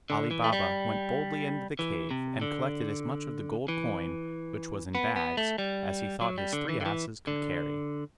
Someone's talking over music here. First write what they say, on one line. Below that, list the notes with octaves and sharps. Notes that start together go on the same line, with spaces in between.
Ali Baba went boldly into the cave, and collected as much of the gold coin, which was in bags, as he thought his three asses could carry.
D3
E3
A3
G3
E3
C3
D3
E3
B3
B3
A3
G3
F#3
G3
D3
E3
D3
E3
D3